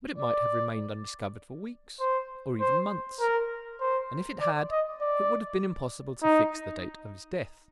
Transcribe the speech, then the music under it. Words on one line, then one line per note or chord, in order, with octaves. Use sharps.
But it might have remained undiscovered for weeks, or even months; and if it had, it would have been impossible to fix the date of his death.
D5
C5
C5
A#4
C5
D5
D#5
D5
D#4